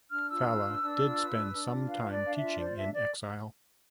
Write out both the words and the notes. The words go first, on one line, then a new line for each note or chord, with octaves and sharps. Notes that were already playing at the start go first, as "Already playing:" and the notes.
Falla did spend some time teaching in exile.
D4 F6
F4 E6
B4
D4
D4
F4
B4
D4
D4
F4
B4 F5
D4
D5
D4 F5
E5
F4
C5 D5
D4 E5
D5